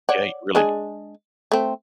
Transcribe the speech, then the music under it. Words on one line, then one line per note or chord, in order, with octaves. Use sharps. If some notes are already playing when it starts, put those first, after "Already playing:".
Yeah, you really d
C#5 D5 F#5
G#3 D4 G#4
A3 C4